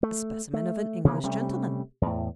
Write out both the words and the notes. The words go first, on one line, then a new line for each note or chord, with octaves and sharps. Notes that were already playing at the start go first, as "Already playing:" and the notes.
"A specimen of an English gentleman."
A3
A3
C3 E3 A#3 B3
C3 G3 A3 C#4
E2 A2